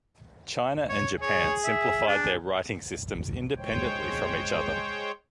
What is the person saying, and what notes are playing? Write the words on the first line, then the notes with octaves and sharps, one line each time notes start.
China and Japan simplified their writing systems independently from each other.
C#5
G#4 C#5
E5
D4
G#3 C5 C#5 G5